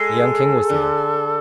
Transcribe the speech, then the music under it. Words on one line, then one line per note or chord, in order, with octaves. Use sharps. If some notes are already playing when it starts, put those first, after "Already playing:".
The Young King was there.
Already playing: G#3 A4
D3